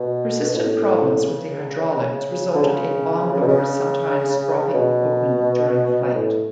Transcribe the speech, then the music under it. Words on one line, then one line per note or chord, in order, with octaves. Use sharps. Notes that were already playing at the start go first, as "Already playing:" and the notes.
Persistent problems with the hydraulics resulted in bomb doors sometimes dropping open during flight.
Already playing: B2
B2
A2
C#3
D3
C#3
C#3
B2
C#3
B2
A2